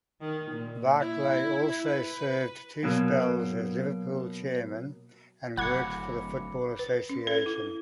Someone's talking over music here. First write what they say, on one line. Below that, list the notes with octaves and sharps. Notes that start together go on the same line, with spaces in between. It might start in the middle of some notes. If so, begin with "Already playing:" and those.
Barclay also served two spells as Liverpool chairman and worked for the Football Association.
D#3
A#2
E4
B4
B2 F#3 A#3
F#1 D2 F#3 F#5 B5 D6 G#6 C#7
B4
C#4
A4
E4